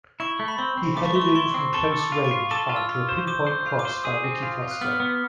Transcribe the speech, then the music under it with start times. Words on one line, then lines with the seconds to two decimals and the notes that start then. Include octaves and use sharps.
He headed in from close range after a pinpoint cross by Ricky Foster.
0.20 E4 C#6
0.39 A3
0.48 B5
0.58 C4 C6
0.78 C4
0.97 A3 D6
1.05 C#6
1.13 A3 C6
1.21 C#6
1.35 E4 C6
1.54 C4
1.73 A4 C#6
1.92 A4
1.99 D6
2.12 F4
2.25 C#6
2.31 F4
2.51 A4 D6
2.69 F4
2.76 E6
2.89 F4
3.09 C5
3.27 C5 D6
3.47 C5
3.66 F4
3.79 D6
3.85 C5
4.04 G#4 D#6
4.24 C4
4.43 F4
4.63 F4
4.71 F#6
4.81 B3 F6
5.00 B3